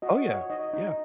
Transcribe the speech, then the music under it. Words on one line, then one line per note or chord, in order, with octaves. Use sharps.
Oh, yeah. Yeah.
F#4 D#5
F#4 C#5
D#4 D#5
D#4 D#5